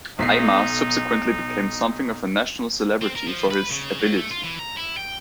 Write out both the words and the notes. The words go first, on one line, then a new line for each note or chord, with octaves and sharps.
Aymar subsequently became something of a national celebrity for his "ability".
B1 D#4 B6 C7
C4
A#4
F3
B4
C#3
F#3
A3
F4
E3
A#5
E4
G5